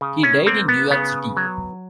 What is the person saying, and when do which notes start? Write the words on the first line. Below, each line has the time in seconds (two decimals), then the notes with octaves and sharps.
He died in New York City.
0.01 C#3
0.23 C#4
0.46 A#3 C4
0.68 B3
0.91 C#3 B3
1.37 F#3